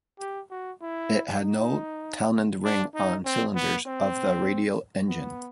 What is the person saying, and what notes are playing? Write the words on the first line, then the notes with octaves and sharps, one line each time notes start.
It had no Townend ring on cylinders of the radial engine.
G4
F#4
E4
D#4
D4
D#4
C4
B3
C4
B3